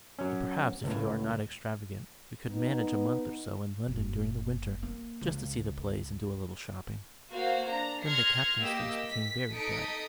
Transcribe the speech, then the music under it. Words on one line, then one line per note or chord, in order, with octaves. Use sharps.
"And perhaps, if you are not extravagant, we could manage a month or so in London during the winter, just to see the plays and do a little shopping." Then the Captain's face became very bright.
F#3 C#4
C#2 A2
B3 D#4
F#1
A#3
C#2
A#3 F#4 C5 F5
D4 A#5
C6 F6 G#6 A#6 C7 C#7
A#3 G4 D#5 E6 B6
B6
D#4 A4 D#6 B6 C#7 D7